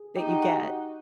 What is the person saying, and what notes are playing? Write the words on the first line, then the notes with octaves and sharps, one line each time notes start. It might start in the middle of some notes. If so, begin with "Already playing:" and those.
that you get.
Already playing: G#4
D#4 G4 G5
F#4 F#5
F#4 F#5